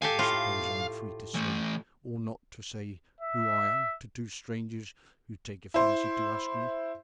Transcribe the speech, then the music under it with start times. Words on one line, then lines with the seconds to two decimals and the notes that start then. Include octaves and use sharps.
"I suppose I am free to say or not to say who I am to two strangers who take a fancy to ask me."
0.02 G4 A4 F5 G#5
0.19 A2 F4
1.34 E3 A3
3.20 E5
5.74 E4 C5